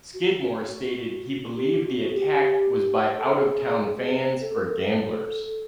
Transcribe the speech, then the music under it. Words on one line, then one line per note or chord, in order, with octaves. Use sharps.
Skidmore stated he believed the attack was by out of town fans or gamblers.
F#4
F#4
G4
F#4
G#4
G4
A4
G#4
A4
A#4
A4